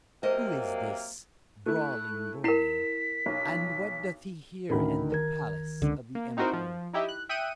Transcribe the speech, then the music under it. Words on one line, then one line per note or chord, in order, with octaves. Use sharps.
"Who is this brawling boy, and what doth he here in the palace of the emperor?"
C3 F#3 A#3 C5 D#5
A3 E4 F#6
E4 A#4 B6 C7 E7
B1
D2 A2 D#3 C#4 A#4 B5
B1 D#3 A#4 G#6
C#2 D3
A#3
C4 D#4 E4 F#4 A#4 C5
F3
D#4 E4 G4 D#5 E5
F#6
E5 G5 D#6 F#6 C#7 D#7